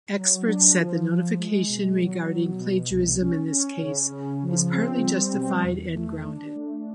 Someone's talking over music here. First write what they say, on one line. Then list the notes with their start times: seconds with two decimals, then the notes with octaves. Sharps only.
Experts said the notification regarding plagiarism in this case is partly justified and grounded.
0.16 F#3
0.47 D4
0.77 F3
1.07 F3
1.38 G#3
1.69 B2
1.99 F#3
2.30 F#3
2.60 B2
2.90 C2
3.21 C#4
3.52 C#4
3.82 C#3
4.12 C#3
4.43 F3
4.72 C4
5.03 G3
5.34 B2
5.63 E2
5.94 A3
6.25 D4
6.55 A3